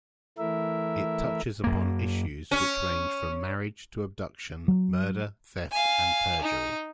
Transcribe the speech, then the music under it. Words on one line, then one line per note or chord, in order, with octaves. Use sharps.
It touches upon issues which range from marriage to abduction, murder, theft, and perjury.
E3 A3 E4 A#4 E5
F#2 A#3
C#4
F#3
F5 G#5
D#4